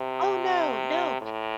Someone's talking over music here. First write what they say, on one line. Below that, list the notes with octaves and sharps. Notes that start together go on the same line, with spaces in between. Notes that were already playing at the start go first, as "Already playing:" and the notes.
Oh, no, no.
Already playing: C3
A2